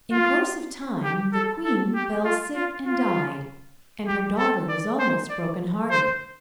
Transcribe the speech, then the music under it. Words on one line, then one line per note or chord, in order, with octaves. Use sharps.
In course of time the queen fell sick and died, and her daughter was almost broken-hearted.
F4
G4
A4
A4
G4
F4
F4
F4
G4
A4
D5
C5
D5
C5